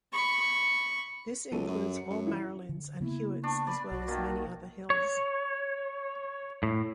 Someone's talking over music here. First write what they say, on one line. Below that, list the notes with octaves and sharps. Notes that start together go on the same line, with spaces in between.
This includes all Marilyns and Hewitts as well as many other hills.
B5 C#6
C#2 F#3 A4 D#7
F#2
C#7
F#2
E3 E4
D3
C#3 A#3 B3 E4
D4 C#6
D5 B5
B1 F#4
A#2 D#3
C#5
A2